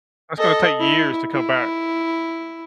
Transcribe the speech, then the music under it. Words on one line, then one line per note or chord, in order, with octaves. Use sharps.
that's gonna take years to come back.
A4 D#5
E4
E4